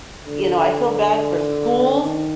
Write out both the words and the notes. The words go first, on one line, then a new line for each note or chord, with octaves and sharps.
you know, I feel bad for schools,
D3
D#3